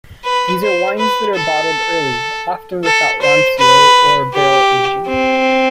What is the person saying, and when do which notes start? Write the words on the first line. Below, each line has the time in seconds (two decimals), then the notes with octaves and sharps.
These are wines that are bottled early, often without "rancio" or barrel aging.
0.24 B4
0.62 C5
0.98 B4
1.36 A4
2.84 A4
3.21 C5
3.58 B4
4.34 G4
5.08 C4